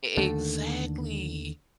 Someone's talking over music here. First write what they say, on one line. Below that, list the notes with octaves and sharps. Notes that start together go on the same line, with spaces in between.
E exactly.
D#2 D3 A3